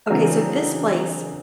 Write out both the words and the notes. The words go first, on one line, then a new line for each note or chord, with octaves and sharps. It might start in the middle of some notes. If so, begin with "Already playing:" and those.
Okay, so this place
C#3 E3 C4 D4 F#4 A#4